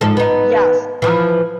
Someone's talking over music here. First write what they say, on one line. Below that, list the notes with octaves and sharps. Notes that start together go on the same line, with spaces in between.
Yes, I
G#2 F3 A4
B3 D#4
E3 F3